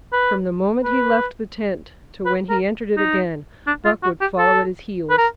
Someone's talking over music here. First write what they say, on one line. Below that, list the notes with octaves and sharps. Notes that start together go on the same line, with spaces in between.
From the moment he left the tent to when he entered it again, Buck would follow at his heels.
B4
B4
B4
A#4
D#4
D4
F4
F#4
G4
A4
B4
A#4